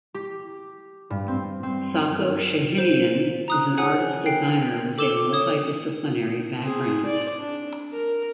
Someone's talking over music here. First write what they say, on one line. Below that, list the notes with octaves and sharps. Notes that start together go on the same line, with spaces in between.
Sako Shahinian is an artist designer with a multi disciplinary background.
G4
G2
C4
C4
C5 E7
A#5 D#6 F#6
G#4 C#5 F#5 G#5 D#6 F#6
G5 C7
A4 D6 E6 E7 G7
C#5 D#6
C4 G#4
D5
D4
A#4